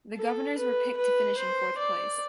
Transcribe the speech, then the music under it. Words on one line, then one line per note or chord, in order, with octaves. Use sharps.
The Governors were picked to finish in fourth place.
A4
B4
B4
C5
D5